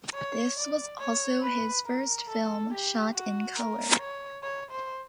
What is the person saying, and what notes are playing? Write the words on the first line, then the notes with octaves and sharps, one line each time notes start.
This was also his first film shot in color.
C#5
D5
C#5
B4
A#4
A4
G4
F#4
A#4
C#5
C#5
C5